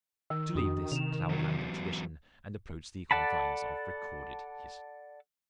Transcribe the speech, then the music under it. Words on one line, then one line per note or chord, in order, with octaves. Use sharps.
To leave this cloudland of tradition, and approach the confines of recorded history.
D#3 E6
F2 D4 F#4 D#6
C3 E7 F7
E2 F#3
A4 D5 F#5 A5 B5